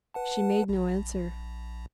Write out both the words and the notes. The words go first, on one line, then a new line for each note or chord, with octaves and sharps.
She made no answer.
B4 F#5 A5
A#1